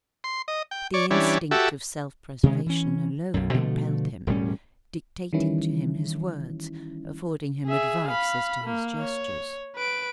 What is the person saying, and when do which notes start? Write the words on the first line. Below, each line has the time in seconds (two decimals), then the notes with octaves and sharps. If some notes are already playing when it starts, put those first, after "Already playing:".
The instinct of self-preservation alone impelled him, dictating to him his words, affording him advice as to his gestures.
0.24 C6
0.48 D#5
0.71 G5
0.94 C#5 D5
1.11 E3 G3 C#4 D4
1.51 F#4 G4 A4 E5
2.43 C3 D#3 G#3 C#4
2.66 E3 C#4
3.34 B1 F#2
3.54 B2 D3 F3 A3
4.27 E1 A2 G3 C#4
5.33 D#3 E3 G3 C#4 E4
7.67 G#4 E5
8.09 F5 B5
8.64 A#3
9.00 C#5
9.76 B4 D7